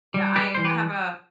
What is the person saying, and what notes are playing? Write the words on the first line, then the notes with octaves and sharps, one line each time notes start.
Yeah, I I have a
G3
G3 G4 B4
E3 C5
G4 B4